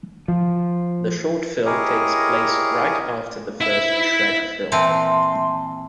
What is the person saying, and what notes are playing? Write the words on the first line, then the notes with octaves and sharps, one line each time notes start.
The short film takes place right after the first Shrek film.
F3
E4 G4 G#4 A#4 C#5 D#5
E4 E5
A#2 E3 C4 E5 A5 C6